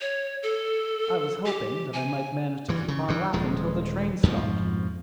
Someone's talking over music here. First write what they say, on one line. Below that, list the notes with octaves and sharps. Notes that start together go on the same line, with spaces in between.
I was hoping that I might manage to keep on laughing till the train stopped.
C#5
A4
G4
G#5
G2 E3
C#3
G2 E3
D#1 F3 G#3
F2 G#2 B2 F3